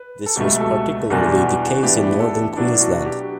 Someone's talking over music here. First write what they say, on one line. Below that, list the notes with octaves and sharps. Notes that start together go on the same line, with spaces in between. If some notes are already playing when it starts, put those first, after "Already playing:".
This was particularly the case in northern Queensland.
Already playing: B4
A4
C#2 B2 F#3 A3 G4
A4
E2 B2 G3 B3 D4 B4
G4
G4
F#4
A2 E3 B3 D4 G4
A4
B2 F#3 B3 D4 E4
F#4
G4